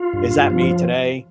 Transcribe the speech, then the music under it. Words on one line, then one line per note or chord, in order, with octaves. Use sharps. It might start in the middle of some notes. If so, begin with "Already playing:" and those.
Is that me today?
Already playing: F4
G2
G2
F3